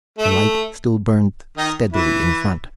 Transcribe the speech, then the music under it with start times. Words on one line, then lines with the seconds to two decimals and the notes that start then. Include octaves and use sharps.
The light still burned steadily in front.
0.18 A3
1.57 D#3 D#4
1.93 E3 E4